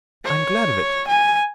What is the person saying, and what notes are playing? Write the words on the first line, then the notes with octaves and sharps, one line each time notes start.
I am glad of it.
C#5
G#5